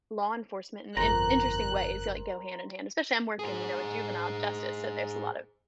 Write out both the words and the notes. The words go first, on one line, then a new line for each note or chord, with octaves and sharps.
law enforcement in in interesting ways, like, go hand in hand, especially I'm working, you know, a juvenile justice, so there's a lot of,
G1 F2 A#4 C5 A#5 F#6
G#4 C5